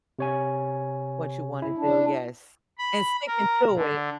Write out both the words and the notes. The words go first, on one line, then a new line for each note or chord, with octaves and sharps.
What you wanna do. Yes, and sticking to it.
C3 C#5 G#5
E4
D4
B5
A#4
D3